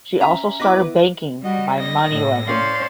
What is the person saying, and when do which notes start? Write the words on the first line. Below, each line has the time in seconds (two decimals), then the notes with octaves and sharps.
She also started banking by money lending.
0.21 C#4 E5 A#5
0.60 B3 E4 B4 D#5 B5 D6
1.44 G3 F#4 D#5
1.80 D#5 A#6
2.10 A2
2.47 C#4 C5 D5 F5 C6